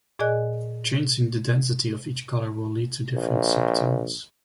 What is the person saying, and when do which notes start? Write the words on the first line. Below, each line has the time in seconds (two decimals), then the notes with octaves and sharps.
Changing the density of each color will lead to different subtones.
0.19 A#2 G#4 D5 D#5 G#5 F#6
3.14 A#1